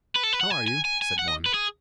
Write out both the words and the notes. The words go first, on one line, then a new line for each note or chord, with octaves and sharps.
"How are you?" said one.
B4
A4
B4
F#5
G#5
G#5
G#5
G#5
F#5
D#5
B4
G#4